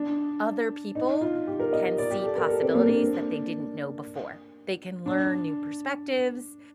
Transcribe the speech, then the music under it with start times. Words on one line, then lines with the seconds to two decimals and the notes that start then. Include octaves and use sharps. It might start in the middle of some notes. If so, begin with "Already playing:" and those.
Other people can see possibilities that they didn't know before. They can learn new perspectives,
Already playing: D4
0.95 D#4
1.21 F4
1.47 G4
1.60 A#4
1.73 D#5
1.98 D5
2.11 G4
2.24 A4
2.37 A#4
2.49 A4
2.62 C4
2.75 A#3
2.88 D4
5.06 D4